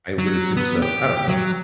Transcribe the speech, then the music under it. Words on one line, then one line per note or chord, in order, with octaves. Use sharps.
I would assume so, I don't know.
F#3
B3
G4
F#3